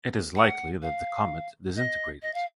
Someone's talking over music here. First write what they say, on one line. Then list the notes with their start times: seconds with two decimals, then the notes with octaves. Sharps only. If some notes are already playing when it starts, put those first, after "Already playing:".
It is likely that the comet disintegrated.
0.35 F#5
0.82 F5
1.76 D#5
2.22 D#5
2.34 F5